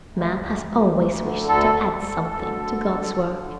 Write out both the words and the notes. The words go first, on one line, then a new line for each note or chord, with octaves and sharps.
Man has always wished to add something to God's work.
D2
D2
D2
D2
D3
D2 A4
D2
D2
D2
D3
D2
D3
D3